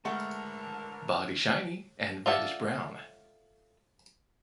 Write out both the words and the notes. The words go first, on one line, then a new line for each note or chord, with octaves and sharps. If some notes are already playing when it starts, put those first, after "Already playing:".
Body shiny and reddish brown.
D3 E3 G#3 A3 A#4 F#5 A5 A#5
F4 A4 D5 E5 F#5